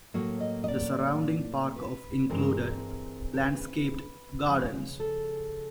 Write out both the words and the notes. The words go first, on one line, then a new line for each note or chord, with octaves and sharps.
The surrounding park of included landscaped gardens.
A2 F#3 A#3 C#5
D#5
D#5
D5
B4
G2 E3 G#3 C4 A#4
A#4
B4
C#3 F3 G#3
A4